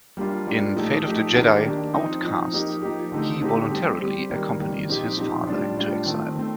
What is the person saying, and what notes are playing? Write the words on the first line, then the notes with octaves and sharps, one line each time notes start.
In "Fate of the Jedi: Outcast", he voluntarily accompanies his father into exile.
G3 A#3 D4 F4
G3 A#3 D4 F4
A#2 F3 A3 D#4 G4
A#2 F3 A3 D#4 G4
D#3 A#3 D4 G4
D#3 A#3 D4 G4
F3 C4 D#4
F3 C4 D#4
F3 A#3 D#4 G4
F3 A#3 D#4 G4
D3 A3 C4 D#4 G4
D3 A3 C4 D#4 G4
G3 C4 G4
G3 C4 G4
D#3 G3 A#3
D#3 G3 A#3
A#2 F3 C4 D#4 G4
A#2 F3 C4 D#4 G4
A2 G3 D4 F4
A2 G3 D4 F4
D#3 A3 C4
D#3 A3 C4